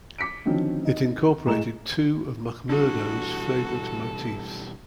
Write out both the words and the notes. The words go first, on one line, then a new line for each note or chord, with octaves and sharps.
It incorporated two of Mackmurdo's favourite motifs.
D6 B6 C#7 D7
D3 D#3 F3 F#3 C4 C#4
C4 D#4
A2 G#3 A#5 E7
B2 E3 G3 D4 F#4 A4